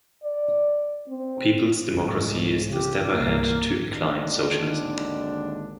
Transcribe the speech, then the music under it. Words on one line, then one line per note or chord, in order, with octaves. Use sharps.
Peoples' Democracy is the step ahead to incline Socialism.
D5
C4
C2 G#2 C#4
C#3 G4
C2 G2 A#2 A#3
G#1 D#2 G#2 D3 D4